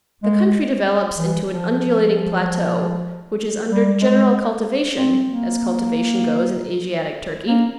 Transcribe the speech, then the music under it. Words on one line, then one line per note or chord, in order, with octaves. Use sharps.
The country develops into an undulating plateau, which is under general cultivation, as cultivation goes in Asiatic Turkey.
G#3
E3
F3
G3
G#3
C4
A#3
A#3